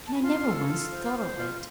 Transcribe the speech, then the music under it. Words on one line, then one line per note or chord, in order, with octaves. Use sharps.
"And I never once thought of it."
A5
B5
F4 C6
A4
F4
C5
C5
F4